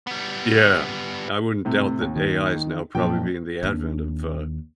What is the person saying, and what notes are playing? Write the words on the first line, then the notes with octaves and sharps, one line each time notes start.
Yeah. I wouldn't doubt that AI is now probably being the advent of, uh,
G3 B3
A2 C3
D#2
D#3
F#2 A#2 F3 G5 A5
D#2 D4